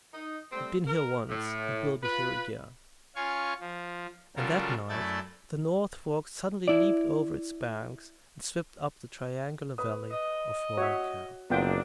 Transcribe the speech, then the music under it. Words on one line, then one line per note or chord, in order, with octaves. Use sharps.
"It been here once and will be here again!" And that night the North Fork suddenly leaped over its banks and swept up the triangular valley of Roaring Camp.
D#4
G3 A3 C4
A#4
A2
F4 B4
C#4 F4 F5 G#5 C#6
F3
C#3 F#3 G3 F4 A4 A#4
F#2 A3 E4 D5 G6 A6
E4 D5
B4 D#6
D#5
F#4 C#5 E5
F#1 D#3 B3 C4 D4 F4 G5